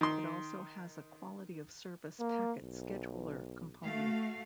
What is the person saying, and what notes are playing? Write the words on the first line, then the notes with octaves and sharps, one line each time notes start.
It also has a Quality of Service Packet Scheduler component.
D#3 C6
A#3
B1
A3 F#4 F5